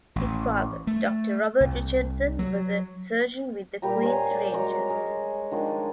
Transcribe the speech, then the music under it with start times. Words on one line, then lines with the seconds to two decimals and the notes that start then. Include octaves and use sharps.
His father Doctor Robert Richardson was a surgeon with the Queen's Rangers.
0.16 A1
0.87 A3
1.60 C2
2.39 F#3
3.82 A#2 G3 G4 A#5
4.03 C5 C#5 G#5 A#5
4.31 D5
4.54 F#3 G#3 C#5 A#5
4.90 G#3 A#4
5.51 D#3 F3 G#3 D4